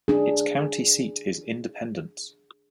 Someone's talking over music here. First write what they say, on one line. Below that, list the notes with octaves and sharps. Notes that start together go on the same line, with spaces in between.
Its county seat is Independence.
D4 G#4